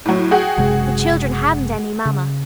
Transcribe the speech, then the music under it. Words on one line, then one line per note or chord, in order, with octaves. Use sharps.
The children hadn't any Mamma.
A2 F#3
F#4 G#4 G5
F#1 C3 G#3
C#3